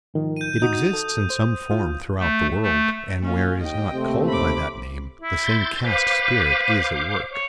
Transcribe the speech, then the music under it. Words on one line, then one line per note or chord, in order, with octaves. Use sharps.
It exists in some form throughout the world, and where it is not called by that name, the same caste spirit is at work.
G#2 D#3 F3
G6 D#7
D2 D#4 F#4 D#6 G6
A4
C5
F4
A3
A3
A#3 C#4 F4
D#2 D#5 G5
D#2 C3 A3 C4
B5 D6
E4
C6 G6 A6
B4 C5 F5 D6
C#5